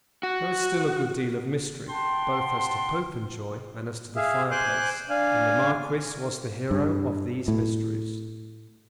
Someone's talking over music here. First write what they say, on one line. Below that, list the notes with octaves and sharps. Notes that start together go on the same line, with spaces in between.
There was still a good deal of mystery, both as to Popenjoy and as to the fireplace, and the Marquis was the hero of these mysteries.
F#4
F#5 G5 A5 C6
G#4 E5 F5
C5 G#5 C6 D6 F#6
D4 F5 G#5
G2
A2